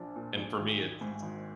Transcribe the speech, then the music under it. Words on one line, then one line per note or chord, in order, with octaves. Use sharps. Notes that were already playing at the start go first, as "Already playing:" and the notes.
And for me, it's
Already playing: A#1 F3 D4
A#2
A#1
G#1
D#3
G#2
G#1